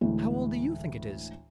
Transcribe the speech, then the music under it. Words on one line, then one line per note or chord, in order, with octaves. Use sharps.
"How old do YOU think it is?"
D2 A2 E3 G#3